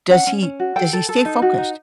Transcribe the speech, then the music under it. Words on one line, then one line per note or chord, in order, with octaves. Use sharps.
does he does he stay focused?
C#4 F#5
C#4
C#4
F#4
A4 G5
A4
A4
D#4
F#4
D#4